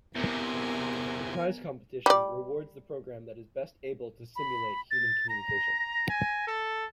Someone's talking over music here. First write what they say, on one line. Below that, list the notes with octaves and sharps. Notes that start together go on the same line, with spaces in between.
The prize competition rewards the program that is best able to simulate human communication.
E2 C3 B3 A#4 G#5
G3 D5
B5
A6
A#5 A#6
G#5
A4